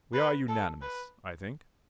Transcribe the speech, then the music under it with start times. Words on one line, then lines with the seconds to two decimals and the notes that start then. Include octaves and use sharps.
We are unanimous, I think.
0.14 B4
0.49 A4
0.82 B4